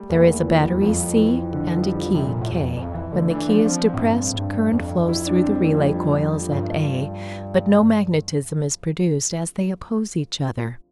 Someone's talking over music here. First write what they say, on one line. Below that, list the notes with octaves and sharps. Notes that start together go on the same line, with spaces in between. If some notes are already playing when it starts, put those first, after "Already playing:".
There is a battery, C, and a key, K. When the key is depressed, current flows through the relay coils at A, but no magnetism is produced, as they oppose each other.
Already playing: G3 A3
E2 A#3
A3
E3
F3
G3
F2 F3
E3
D3
E3
F3
G3
F3
C3
A#2
A2
E2
F2
F2
E3
D3 A3
E3 D4
F3 D4
F3 C4
A2 C4
G2
C4
A2
G2 D4
F2
E4
D4
C4
A3
F3
G3
F3
G2 F3